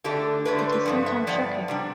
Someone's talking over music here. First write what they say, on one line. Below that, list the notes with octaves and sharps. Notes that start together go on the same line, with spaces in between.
It is sometimes shocking.
D3 A3 D4 G4
D3 A3 D4 B4
C5
B4
G2 F3 B3
E5
G2 F3 B3 D5
C3 G3 D4